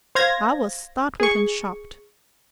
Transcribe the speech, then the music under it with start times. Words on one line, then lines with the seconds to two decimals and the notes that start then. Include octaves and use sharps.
I was startled and shocked.
0.15 C5 F5 G#6 A#6
1.20 G#4 C#6